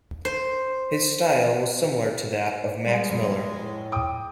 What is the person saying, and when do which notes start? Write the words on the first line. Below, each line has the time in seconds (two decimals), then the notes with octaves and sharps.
His style was similar to that of Max Miller.
0.25 C5
2.85 G3 G#3
3.09 F2
3.53 A2
3.92 G5 D6 D#6